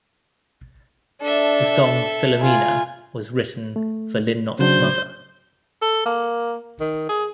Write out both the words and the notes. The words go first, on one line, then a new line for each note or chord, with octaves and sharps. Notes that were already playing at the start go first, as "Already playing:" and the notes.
The song "Philomena" was written for Lynott's mother.
D4 A4 E5
F4 G#5
A3
C#3 F#3 D4 C5 G6
A4
A#3
D#3
G#4